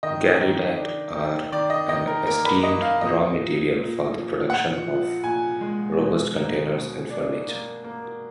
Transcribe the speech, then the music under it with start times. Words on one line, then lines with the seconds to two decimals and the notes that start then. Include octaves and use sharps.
"Garidat" are an esteemed raw material for the production of robust containers and furniture.
0.03 D#3 D#5
0.41 D#3
0.78 D4
1.14 D#3
1.52 D#3 D5
1.70 D#5
1.88 D#3 D#5
2.07 A#4
2.27 A#3 A#4
2.45 B4
2.63 A#3 D#5
2.82 F5
3.01 A#2 D#5
3.39 A#2
3.75 A#2
4.12 F3
4.49 A#2 F#5
4.87 F3
5.24 A#2 G#5
5.61 G#3
5.99 B2
6.35 A#3
6.73 B2
7.10 D4
7.47 A#3
7.84 A#3